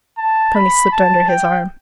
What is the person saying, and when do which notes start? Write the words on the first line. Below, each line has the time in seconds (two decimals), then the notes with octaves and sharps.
Tony slipped under his arm.
0.18 A5
0.55 B5
0.92 A5
1.29 G5